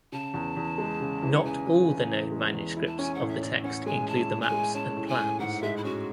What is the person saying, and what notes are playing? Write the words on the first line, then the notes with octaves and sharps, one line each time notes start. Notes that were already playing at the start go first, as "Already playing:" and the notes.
Not all the known manuscripts of the text include the maps and plans.
C#3 A5
E2
E2
G#3
C#3
E3
F#5
C#3 G#5
E3
C#3
E3
G#3
E2
E4
A5
C#4 G#5
F#5
A2
E5
A2 D5
C#4 F#5
G#3 G#5
E4 A5
E4
G#5
G#3
C#4 A5
A2
G#5
A2
G#2 F#5
G#3 E5
E4
C#4 F#4